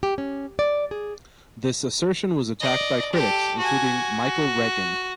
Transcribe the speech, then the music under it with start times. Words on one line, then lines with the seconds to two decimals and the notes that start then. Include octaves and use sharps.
This assertion was attacked by critics, including Michael Reagan.
0.03 G4
0.18 C#4
0.59 D5
0.91 G#4
2.60 D5 D#5
3.12 G4 A4
3.58 F#4 G#5
4.23 F#4